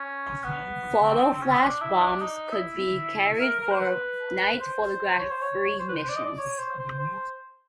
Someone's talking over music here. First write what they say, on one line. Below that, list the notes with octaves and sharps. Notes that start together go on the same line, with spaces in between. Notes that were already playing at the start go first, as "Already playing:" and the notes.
Photo-flash bombs could be carried for night photography missions.
Already playing: C#4
B3
C4
C4
C#4
C4
D4
E4
D4
D#4
E4
A#4
A#4
C5
B4
C5
C#5
C5
C#5
C5
B4
C5
D5
D#5
D5
C#5
C5
C5
C5